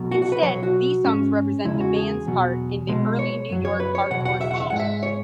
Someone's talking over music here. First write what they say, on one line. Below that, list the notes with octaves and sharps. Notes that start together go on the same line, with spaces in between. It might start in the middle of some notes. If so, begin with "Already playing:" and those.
Instead, these songs represent the band's part in the early New York hardcore scene.
Already playing: B1 B2 F#3
F#4
F#4
B4
B1 B2 F#3 C#5
F#4
G#2 G#3 C#4
E2 C#3 G#3 E4
F#4
G#4
E2 B2 F#3
B1 B2 G#3
C#5
F#2 F#3
C#5
B4
C#5
E2 B2 F#3 F#5
F#5
E5
F#5
E5
G#2 G#3 F#5
E5
C#5